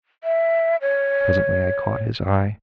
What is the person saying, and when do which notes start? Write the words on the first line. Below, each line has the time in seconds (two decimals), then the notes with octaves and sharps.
Presently I caught his eye.
0.24 E5
0.82 C#5